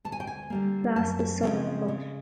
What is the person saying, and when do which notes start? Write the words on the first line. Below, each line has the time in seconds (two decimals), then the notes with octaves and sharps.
Last is Sullivan Gulch.
0.05 D2 A5
0.12 G#5
0.20 G5
0.27 G#5
0.50 D3 G3 A#3
0.96 F#2 A5
1.43 C#3 F3 G#3 C4
1.88 C#3